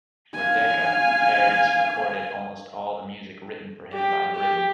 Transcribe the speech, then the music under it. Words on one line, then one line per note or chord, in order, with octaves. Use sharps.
For Decca, Pears recorded almost all the music written for him by Britten.
F5 G#5
G4
G4